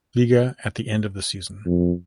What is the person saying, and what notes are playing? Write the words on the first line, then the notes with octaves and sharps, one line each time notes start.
Liga at the end of the season.
F2